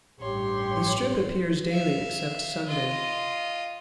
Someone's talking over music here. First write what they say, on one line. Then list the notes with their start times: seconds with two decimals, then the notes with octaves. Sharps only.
The strip appears daily except Sunday.
0.20 A1 G2 G4 C#5 C6
1.69 E5 F5
2.66 F4 D#5